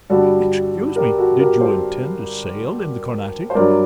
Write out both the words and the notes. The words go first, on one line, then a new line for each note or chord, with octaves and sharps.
"Excuse me, did you intend to sail in the Carnatic?"
G2 D3 G3 F#4 A4
G4 A#4
F#4 A4
G4 A#4
A4 C5
C5
G2 F#3 A#4 D5